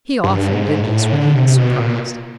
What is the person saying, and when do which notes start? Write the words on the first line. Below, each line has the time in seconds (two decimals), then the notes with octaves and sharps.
He often did this when he was surprised.
0.24 G2
0.53 G#2
0.83 A2
1.12 D3
1.35 C3
1.48 C3
1.57 B2
1.79 A#2